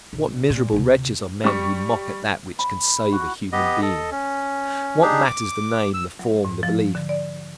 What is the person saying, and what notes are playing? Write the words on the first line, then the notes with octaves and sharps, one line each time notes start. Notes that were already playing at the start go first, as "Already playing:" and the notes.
What miserable wretches are men who mock at that which can save a human being! What matters the name, the form, the belief?
A#1
A#2
D2 C3
G3 C#6
B5
F#4
B3 G4 D#5
A4 D#5
C#4
D4 D#4 G4 G#4
D6
E6
F#3
G#2
F3
D3
D5